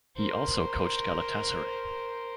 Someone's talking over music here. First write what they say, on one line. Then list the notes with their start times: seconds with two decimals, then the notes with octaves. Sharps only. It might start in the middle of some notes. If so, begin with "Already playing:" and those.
He also coached Galatasaray.
0.17 A#4 C5